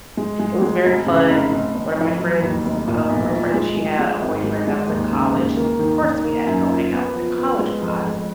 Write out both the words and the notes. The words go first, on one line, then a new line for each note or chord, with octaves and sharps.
It was very fun. One of my friend's, um, girlfriend, she had a boyfriend that was in college, so of course we had to go hang out with the college guys.
G#3
G#3
G#3
F1
C#3
F1
F1
F1
F2
F#3
D#2
F1
A#2
B1
F3
G#3
G#3
G#3
G#1
G#3
G#3
D#2
C#3
D#2
A#3
D#3
D#3
A#3
F#2
F4
B3
F3
B3
G#3
F2
F2